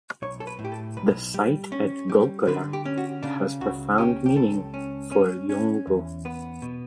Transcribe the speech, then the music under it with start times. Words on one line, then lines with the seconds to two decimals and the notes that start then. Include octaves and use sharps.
The site at Gulkula has profound meaning for Yolngu.
0.22 B1 C#5
0.40 A4
0.47 B4
0.59 A2
0.64 G4
0.72 A4
0.97 B1 B4
1.34 G3
1.72 C#4
2.09 G3
2.47 D3 B4
2.73 G4
2.85 C#4
2.97 F#4
3.23 C#3 D4
3.61 C#2 F#4
3.98 C#4 G4
4.26 G4
4.36 C#2 A4
4.74 C#4
5.11 C#4
5.49 C#4
5.87 E2
6.25 B3 B4
6.62 B2